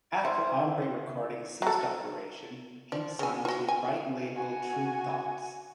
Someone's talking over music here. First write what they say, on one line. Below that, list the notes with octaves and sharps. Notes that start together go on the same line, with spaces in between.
After Hombre Recordings ceased operation, Hint signed to Brighton label Tru Thoughts.
C5 E5
F#3 A4
F3 D5
C#3 G#5
F4 F#4
G#5
F#4 G#5